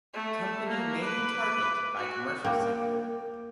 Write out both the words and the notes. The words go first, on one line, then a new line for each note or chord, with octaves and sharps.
Company mainly target by commercial sector.
A3
A#3
B4 D6
F#4
A#3 G5 D6